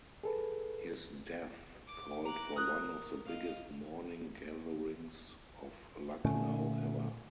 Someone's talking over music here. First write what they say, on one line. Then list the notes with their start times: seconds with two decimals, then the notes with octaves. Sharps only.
His death called for one of the biggest mourning gatherings of Lucknow ever.
0.23 G#4 A4 B4
1.88 D6
2.25 A#5 D6 F#6
2.56 A#4 D#6 F#6
3.26 D#5 F5
6.25 A#2 D3 A3 C#4